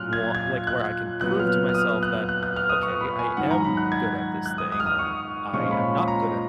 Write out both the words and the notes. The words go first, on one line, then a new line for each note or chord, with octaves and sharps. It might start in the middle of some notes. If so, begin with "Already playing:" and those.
want like, where I can prove to myself that, "Okay, I am good at this thing or I am not good at"
Already playing: A#2 F#3 C#4 F6 F#6
G#6
G#6
F#6
A#2 F#3 B3 F#6
F6
F6
D#6
F#6
F#6
F#6
F6
D#6
C#6
B5
G#5
G#2 D#3 F#3 F#5
A#5
B5
F#6
G#6
F#6
D#6
D#6
F6
D#6
C#6
A#2 F3 G#3 C#4 C#6
B5
A#5